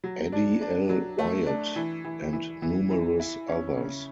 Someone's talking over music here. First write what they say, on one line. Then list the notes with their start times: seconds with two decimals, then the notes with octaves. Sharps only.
Addie L. Wyatt, and numerous others.
0.04 F#3
0.32 D4
0.61 D4
0.89 F#3
1.18 A3
1.46 D4
1.76 E3
2.04 E3
2.33 E3
2.62 E3
2.91 E3
3.20 E4
3.48 C#4
3.77 C#3